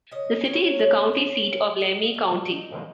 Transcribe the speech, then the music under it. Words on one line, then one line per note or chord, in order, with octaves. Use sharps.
The city is the county seat of Lemhi County.
C#3 D#5
C#4 C#5
C#3
C#3
C#4
A#2 D#5
A#2
D#4